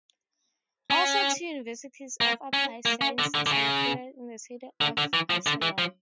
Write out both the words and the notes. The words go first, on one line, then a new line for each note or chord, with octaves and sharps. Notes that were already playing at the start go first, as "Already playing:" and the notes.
Also two universities of applied sciences are located in the city of Iserlohn.
C#4
A#3
C#4
A#3
C#4
D3
D3
D3
C#3
D3
D3
E3
F3
D3
E3
F3